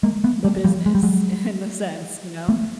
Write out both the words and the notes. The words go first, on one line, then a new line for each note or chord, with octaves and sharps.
the business in the sense, you know?
G#3 A#3
A3 B3
G3 A3
F3 G3
G#3
G3
F#3 G#3
A3 B3